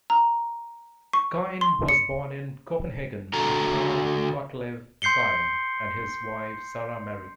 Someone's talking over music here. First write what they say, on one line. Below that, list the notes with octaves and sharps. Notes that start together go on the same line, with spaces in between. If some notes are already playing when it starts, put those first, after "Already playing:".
Kyhn was born in Copenhagen to Carl Gottlieb Kyhn and his wife Sara Marie.
A#5
C#6
C6
C#7
D3 F#4 A4 A#5
C6 G6 C7 C#7 G7